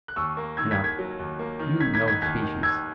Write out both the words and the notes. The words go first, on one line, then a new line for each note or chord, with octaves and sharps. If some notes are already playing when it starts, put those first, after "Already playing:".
Enough, you know the species.
F#6
D#2 C#6 E6
A#3
D#3 E6 G#6
G#6 B6
D#2
G#6 B6
F#3
D#2
A#3
D#3
D#4 G#6 B6
G#6 B6
D#4
G#6 B6
D#2 G#6 B6
D#3
D#2 E6 G#6